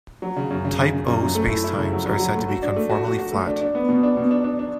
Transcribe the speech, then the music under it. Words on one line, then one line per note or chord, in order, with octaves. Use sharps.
Type O spacetimes are said to be conformally flat.
F#3
C#3
F#2
C#3
C#3
C#3
F#2
F#2
A3
E4
E4
C#3
F#3
F#3
F#3
A3
F#4
D4
A3
F#4
F#4
F#4
A3
D4
D4
B3
B2
D4
B2
D4
D4
D4